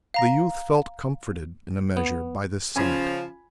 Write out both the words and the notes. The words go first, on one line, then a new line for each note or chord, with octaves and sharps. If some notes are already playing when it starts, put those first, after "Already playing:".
The youth felt comforted in a measure by this sight.
F5 A#5 A#6
B3
C#3 F3 C#4 F4 G#5 B5